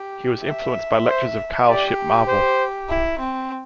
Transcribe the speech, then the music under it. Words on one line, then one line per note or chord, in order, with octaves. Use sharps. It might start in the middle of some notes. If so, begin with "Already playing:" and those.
He was influenced by lectures of Carl Shipp Marvel.
Already playing: G4
E5
C5
G4 D5
C5
E4
C4